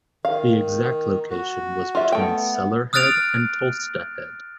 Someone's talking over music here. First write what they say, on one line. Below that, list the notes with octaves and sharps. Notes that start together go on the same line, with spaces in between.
The exact location was between Cellar head and Tolsta head.
D#3 F5
F#4
F4 E5
A3 B3 G5
D#6 F6 F#6 A6 D7 F7